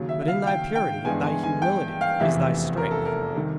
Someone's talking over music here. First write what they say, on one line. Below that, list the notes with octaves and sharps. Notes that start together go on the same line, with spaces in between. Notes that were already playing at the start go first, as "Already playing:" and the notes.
But in thy purity, thy humility, is thy strength.
Already playing: D#2 C#3 F#3
E5
E5
F5
G5
G5
G2 E3 G#3 B3 G#5
G#5
G#5
G5
F5
F1 E2 C3 E3 E5
A#4
A4
A#4
C3 D#3 G3